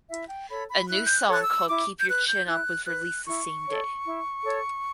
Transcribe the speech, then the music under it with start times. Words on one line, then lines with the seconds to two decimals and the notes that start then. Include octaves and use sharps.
A new song called "Keep Your Chin Up" was released the same day.
0.09 E4 E5
0.29 G5
0.49 A4 C#5 B5
0.69 B5
0.89 E4 F#6
1.06 G6
1.16 F#6
1.28 A4 C#5 F#6
1.42 E6
1.68 E4 D6
1.99 G6
2.07 B4 F#6
2.27 G6
2.47 E4 F#6
2.86 B4 F#6
3.27 E4 C#6
3.66 A4 C#5
4.06 E4
4.45 A4 C#5